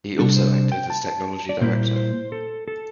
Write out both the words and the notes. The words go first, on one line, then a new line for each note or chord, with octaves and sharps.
He also acted as technology director.
C3 G3 D4 A4
C5
C5
G5
A5
D5
A#2 G3 A#3 E4 C5
C5
A4
A4